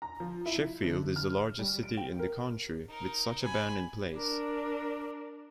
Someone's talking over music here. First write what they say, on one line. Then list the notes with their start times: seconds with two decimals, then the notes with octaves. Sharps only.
Sheffield is the largest city in the country with such a ban in place.
0.02 A#5
0.20 F3
0.46 E4
0.82 D3
1.16 F6
1.59 G3
1.83 D7
1.97 G5
2.19 A#4
2.88 D#4 A#4
3.43 G#5 B5
4.15 D4 A#4